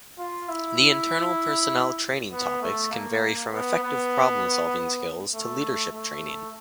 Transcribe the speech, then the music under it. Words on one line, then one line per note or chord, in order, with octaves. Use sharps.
The internal personnel training topics can vary from effective problem-solving skills to leadership training.
F4
E4
B3
A3
A#3
B3
B3
A3
A3